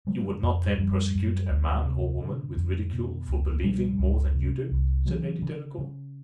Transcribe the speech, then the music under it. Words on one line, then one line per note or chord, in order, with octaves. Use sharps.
"You would not then persecute a man or woman with ridicule for believing more than you do?" said Lady Delacour.
C#3 F#3 G#3
F2
F#2 F3 G3
F#2
D2
C3
D3
F2
B2
C#2
B2 F3 G3
C#2
C3
C2
C#3 E3 F#3
C#3
C#3